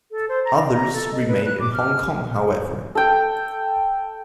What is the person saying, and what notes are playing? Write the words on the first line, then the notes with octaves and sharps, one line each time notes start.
Others remained in Hong Kong, however.
A4
C5
A#5
D4
A#5
A4
D#5
B4
F#6
D6
F6
A4 G5